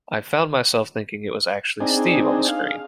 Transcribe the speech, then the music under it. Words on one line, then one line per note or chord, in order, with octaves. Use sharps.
I found myself thinking it was actually Steve on the screen.
C4 D4 D#4 G#4
F5